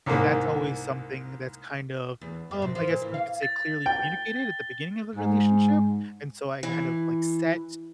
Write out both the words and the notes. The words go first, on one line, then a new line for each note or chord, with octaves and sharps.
but that's always something that's kind of, um I guess you could say clearly communicated at the beginning of the relationship? And so I kind of, like, set
C2 G#2 D#3 A#3
E2
F#2
C3
F3
A#2
E3
F5
A6
G5 A6 G7
G#2
E3